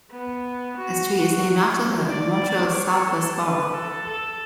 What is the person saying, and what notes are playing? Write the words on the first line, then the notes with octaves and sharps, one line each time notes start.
A street is named after her in Montreal's Southwest borough.
B3
F#4
F#4
D5
C#5
A4
B4
A4
A4